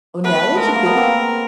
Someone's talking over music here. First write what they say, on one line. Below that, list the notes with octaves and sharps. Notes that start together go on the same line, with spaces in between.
Oh, now that you think,
A3 B3 B4
G#3
A#4
A3
A#3
B3
A#3 C4